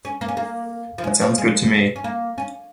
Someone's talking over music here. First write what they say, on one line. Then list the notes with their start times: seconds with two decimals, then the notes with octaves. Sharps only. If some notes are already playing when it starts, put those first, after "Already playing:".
That sounds good to me.
0.05 C#4
0.21 A#3
0.28 C#4
0.37 A#3
0.98 F3
1.04 G#3
1.21 F3
1.38 G#3
1.96 C#4
2.04 A#3
2.38 C#4